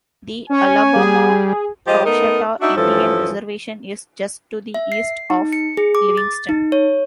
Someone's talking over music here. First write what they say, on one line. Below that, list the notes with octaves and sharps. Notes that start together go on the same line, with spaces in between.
The Alabama-Coushatta Indian Reservation is just to the east of Livingston.
C#4 C#5 G#5
G3 G#4
F3 G#3 G4 D#5
A3 B3 D#4 A#4
D4 D#4 F#4 E5
G2 E3 F3 C#4 A4
E5
C7
D#4
C#7
G#4
D6
A6
D#4
C#5